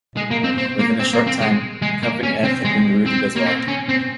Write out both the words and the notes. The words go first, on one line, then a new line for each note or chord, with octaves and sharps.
Within a short time, Company F had been routed as well.
G#3
A#3
C4
C4
A#3
C4
A#3
C4
G#3
G#3
A#3
C#4
C4
G#3
C4
A#3
C4
C#4
C4